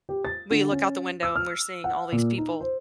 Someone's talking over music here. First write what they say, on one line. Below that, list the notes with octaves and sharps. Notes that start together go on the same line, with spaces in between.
we look out the window and we're seeing all these people
G4
A6
D3
C#4
E6
F6
F#5
A#2
D#4
C5